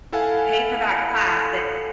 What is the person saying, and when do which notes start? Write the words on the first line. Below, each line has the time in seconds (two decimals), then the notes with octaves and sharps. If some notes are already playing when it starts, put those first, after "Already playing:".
pay for that class and
0.12 E4 A4 F5 F#5 G#5